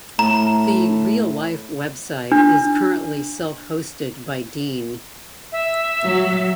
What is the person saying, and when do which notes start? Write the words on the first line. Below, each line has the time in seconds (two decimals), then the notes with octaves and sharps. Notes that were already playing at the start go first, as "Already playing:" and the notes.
The "Real Life" website is currently self-hosted by Dean.
0.19 A2 A#5
2.32 D4
5.52 E5
6.05 F#3